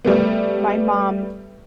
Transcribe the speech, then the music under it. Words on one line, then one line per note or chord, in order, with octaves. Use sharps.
my mom
G3 A3 B3